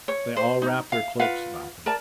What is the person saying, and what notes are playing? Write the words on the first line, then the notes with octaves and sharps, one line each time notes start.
They all wrapped their cloaks about them.
C#5
C5
D#4
F5
F4 B4 F5 F#5
A#4 D5 A5